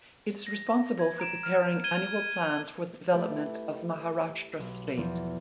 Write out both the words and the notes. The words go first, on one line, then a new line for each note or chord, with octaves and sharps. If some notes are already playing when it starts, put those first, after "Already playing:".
It is responsible for preparing annual plans for the development of Maharashtra state.
A#6
G#6
A#5 D7 E7
F6
G#6 D#7 G7
A3 E4 G4 A4 B4
B1
E2 F3 E7